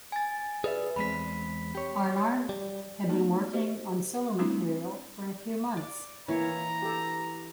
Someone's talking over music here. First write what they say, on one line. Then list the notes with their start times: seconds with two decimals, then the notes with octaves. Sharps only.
Arnaert had been working on solo material for a few months.
0.12 G#5 A6
0.64 G#4 B4 D5 E5
0.96 E2 G#3 C4 B5 B6
1.75 G4 C#5
2.49 G3
3.09 A3 B3 D#4 F#4
3.53 G4 A#4 C5 D#5
4.39 G3 A3 C4 D4 E4
5.77 D5
6.28 E3 A#3 E4 C#5 A#5
6.82 G4 A4